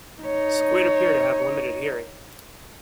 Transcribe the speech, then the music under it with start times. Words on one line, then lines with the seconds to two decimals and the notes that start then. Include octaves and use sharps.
Squid appear to have limited hearing.
0.22 D#4 C#5